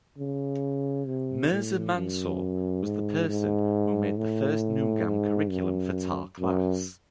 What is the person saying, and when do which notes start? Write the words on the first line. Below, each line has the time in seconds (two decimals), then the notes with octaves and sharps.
Mirza Mansur was the person who made the first mugam curriculum for tar class.
0.18 C#3
1.07 C3
1.51 A2
1.95 F#2
2.84 G#2
3.29 G#2
4.17 A2
5.06 G#2
5.50 F#2
6.39 F#2